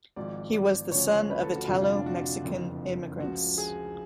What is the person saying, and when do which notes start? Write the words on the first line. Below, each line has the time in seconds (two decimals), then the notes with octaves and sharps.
He was the son of Italo-Mexican immigrants.
0.16 G#1 G#2 F3 D5
0.54 D5
0.92 D2 C#3 F3 C#5
1.30 B4
1.43 A4
1.56 F#4
1.68 F1 F2 D3 F4
1.81 F4
1.94 D4
2.06 F#4
2.44 F#1 F2 D3 F3
3.20 C#2 C#3 F3 F#4
3.58 G#4